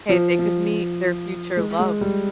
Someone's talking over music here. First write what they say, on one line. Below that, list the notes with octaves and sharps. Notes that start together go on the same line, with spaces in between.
Hey, they could meet their future love
F3
F3
G#3
G#3
G3